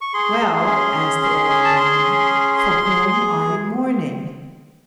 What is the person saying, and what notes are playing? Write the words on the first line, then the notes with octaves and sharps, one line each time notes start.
"Well," asked the old woman, "for whom are you mourning?"
C#6
G#4 C6
G#4
C#4
G#4
C#4
G#4
A5
G#4 C6
C#4
G#4
G#4
G#4
G#4